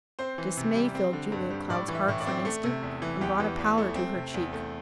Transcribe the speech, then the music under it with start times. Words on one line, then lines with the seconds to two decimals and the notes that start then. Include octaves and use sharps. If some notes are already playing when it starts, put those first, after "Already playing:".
Dismay filled Julia Cloud's heart for an instant, and brought a pallor to her cheek.
0.19 C4 C5
0.38 E3
0.57 C3
0.75 G3
0.95 C4
1.13 D3
1.32 G2
1.50 G3
1.70 A2 D5
1.88 E3
1.95 E5
2.08 A2
2.20 D5
2.26 C4
2.45 A3
2.64 C3
2.82 E2
3.02 E3
3.21 E2 G4
3.40 E3
3.59 E2
3.78 A3
3.95 C4
4.15 C3
4.34 E2
4.53 A3